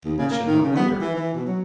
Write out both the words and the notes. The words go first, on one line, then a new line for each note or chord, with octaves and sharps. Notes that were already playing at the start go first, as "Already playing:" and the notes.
I should not wonder.
D#2
C#3
A#3
D#3
C#3
B3
G3
E3
E3
B2
F#3